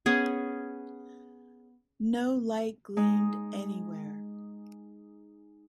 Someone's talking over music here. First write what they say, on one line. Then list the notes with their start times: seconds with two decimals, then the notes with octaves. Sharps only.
No light gleamed anywhere.
0.06 B3 C#4 G#4
2.97 G#3 D#4